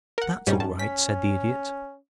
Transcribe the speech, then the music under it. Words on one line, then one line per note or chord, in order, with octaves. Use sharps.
"That's all right," said the Idiot.
A#4 F#5
G#2 G3 C#4
F#2 A5
C#4 B6